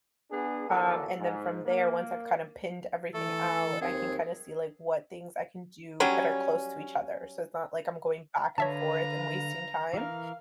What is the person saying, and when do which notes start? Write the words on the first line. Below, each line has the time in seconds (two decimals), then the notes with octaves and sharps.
um, and then from there, once I've kind of pinned everything out, I can kinda see, like, what things I can do that are close to each other, so it's not like I'm going back and forth and wasting time.
0.31 B3 D4 G#4
0.68 D3 E3 F#3 A#3 D4 A4
1.18 G#2
1.64 A#3
3.14 E3 A3 A4
3.81 D#2 C4 G#4
6.00 F#3 G3 C#4
8.58 D3 B4 C#5 E5 F5 A5 A#5
9.94 E3 A#4 F5